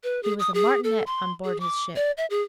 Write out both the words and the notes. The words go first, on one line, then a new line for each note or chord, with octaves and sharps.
He was a Martinet on board his ship.
B4
G#4
D#6
G#4
A4
C6
G#4
D6
D5
E5
G#4